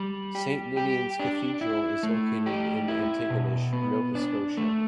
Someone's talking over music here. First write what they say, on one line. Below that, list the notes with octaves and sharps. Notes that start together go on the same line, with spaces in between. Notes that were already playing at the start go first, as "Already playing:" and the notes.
Saint Ninian's Cathedral is located in Antigonish, Nova Scotia.
Already playing: G3
G4
G4
D4
E4
A3
G4
E4
B2
B3
D4
A3